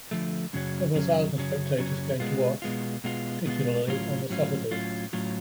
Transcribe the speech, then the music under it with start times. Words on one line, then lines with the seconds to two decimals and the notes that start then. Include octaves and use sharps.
Several thousand spectators came to watch, particularly on the Saturday.
0.11 D3 F3 A3
0.53 F#2 C#3 F#3 C#4
0.95 F#2 C#3 F#3 C#4
1.37 F#2 C#3 F#3 C#4
1.78 F#2 C#3 F#3 C#4
2.20 B2 G#3 B3 F4
2.62 B2 G#3 B3 F4
3.04 B2 G#3 B3 F4
3.46 B2 G#3 B3 F4
3.87 A2 F#3 C#4 F4
4.30 A2 F#3 C#4 F4
4.71 A2 F#3 C#4 F4
5.13 A2 F#3 C#4 F4